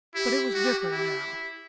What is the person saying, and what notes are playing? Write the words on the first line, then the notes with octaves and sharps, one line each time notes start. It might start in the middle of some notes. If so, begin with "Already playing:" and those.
But it was different now.
E4 G4
F#4
E4